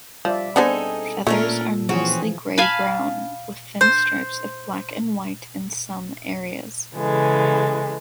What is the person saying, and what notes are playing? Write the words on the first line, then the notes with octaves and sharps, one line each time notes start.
Feathers are mostly grey brown, with thin strips of black and white in some areas.
F3 G3 D5 E5
B3 C4 D4 D#4 G#4 A4 C5 G#5
A#2 A3 C#4 D4 A4 A#4
E3 F3 C4 C#4 F#4 G#4
F5 G#5 A5 B5
C5
C#3 E3 G#3 A4